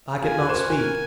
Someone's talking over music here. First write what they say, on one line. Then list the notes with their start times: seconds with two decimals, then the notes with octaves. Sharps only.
I could not speak.
0.22 F4 G#4 G#5
0.38 F#4 A#4
0.49 C5
0.54 F#4 A#4
0.70 F#4 A#4 G#5